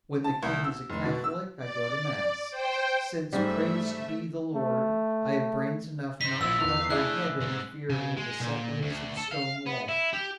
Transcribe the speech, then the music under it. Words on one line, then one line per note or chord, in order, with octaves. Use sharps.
When the king is a Catholic I go to Mass; since, praised be the Lord, I have brains enough not to let my head interfere with the set ways of a stone wall.
A5
C2
E6
F1
B2
E6
D5
C5 G5
G#2 G3 A3 E5
A3
D#4 C5 B6
A#1 A#2 E4 E6
E2 F5
A2 D4 E4 G#4 F#6
D2 G#2
C#3
G#3
A#2
D2
A4
F5
B3
E4
G4